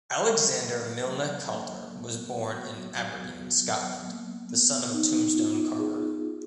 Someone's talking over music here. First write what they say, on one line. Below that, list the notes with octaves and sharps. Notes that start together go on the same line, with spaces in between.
Alexander Milne Calder was born in Aberdeen, Scotland, the son of a tombstone carver.
F#3
A#3
F#3
A#3
B3
F#4
F#3
B3
F#3
A#3
B3
D#4
F4
G#4
F4